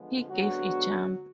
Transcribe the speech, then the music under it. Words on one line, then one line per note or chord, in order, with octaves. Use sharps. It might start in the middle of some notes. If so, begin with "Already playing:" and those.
He gave a jump.
Already playing: D3 F3 G#3 B3
D2 D3 F#3 G#3 B3 F#4